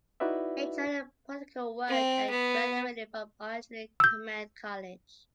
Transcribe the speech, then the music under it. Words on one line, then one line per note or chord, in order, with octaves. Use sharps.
Majored in political work and graduated from Artillery Command College.
D#4 E4 F#4 B4 D5 E5
C4
B3
E6 G6